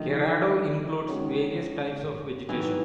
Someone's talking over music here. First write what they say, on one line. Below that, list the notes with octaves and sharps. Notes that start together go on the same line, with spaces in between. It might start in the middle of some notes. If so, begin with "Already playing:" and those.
Cerrado includes various types of vegetation.
Already playing: D3 D#3 F3 A3
D#3 G#3 C#4 F#4
C3 D#3 E3 F#3 B3